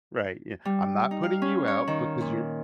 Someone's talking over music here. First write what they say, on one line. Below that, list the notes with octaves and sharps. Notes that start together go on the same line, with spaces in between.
Right, yeah, "I'm not putting you out because you're"
G3
D#4
F5
C#4
C#5
D#3
A#2